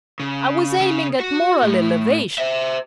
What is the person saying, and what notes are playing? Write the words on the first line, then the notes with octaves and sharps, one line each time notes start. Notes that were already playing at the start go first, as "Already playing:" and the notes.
I was aiming at moral elevation....
C#3
C#3
F#4
A2
C5 E5